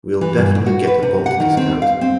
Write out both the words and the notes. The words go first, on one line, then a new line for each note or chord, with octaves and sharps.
We’ll definitely get a bulk discount.
E3
G2
C#3
F#4
B4
C3
F#5
D#3
C4
F5
C4